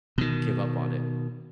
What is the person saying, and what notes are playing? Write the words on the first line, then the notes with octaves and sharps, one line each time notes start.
give up on it.
B2 D#3